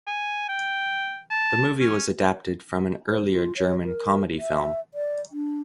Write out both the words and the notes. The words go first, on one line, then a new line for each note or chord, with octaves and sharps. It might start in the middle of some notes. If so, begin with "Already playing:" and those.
The movie was adapted from an earlier German comedy film.
G#5
G5
A5
C#4
C5
F4
C#5
A#4
E5
D5
D4